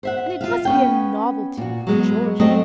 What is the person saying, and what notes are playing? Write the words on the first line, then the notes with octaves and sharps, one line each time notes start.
And it must be a novelty for Georgey.
C5 E5 F#5
F4 E5 F5
B3 C#4 G5
A#2 F#4
F#3 G#3 B3
F#3 G3 A3 C4 D#5